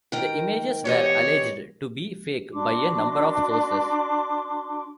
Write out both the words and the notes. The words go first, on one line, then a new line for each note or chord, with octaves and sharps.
The images were alleged to be fake by a number of sources.
D#3 A#4 G5
E2 G4 C#5 D#5
D4 F#4 C6 D6